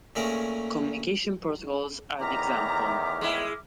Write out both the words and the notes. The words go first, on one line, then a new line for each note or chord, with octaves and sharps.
Communications protocols are an example.
A#2 A3 C#4 G#4 A#4
E2 A2 D#3 E5 A#5 D6 F6
G#3 E4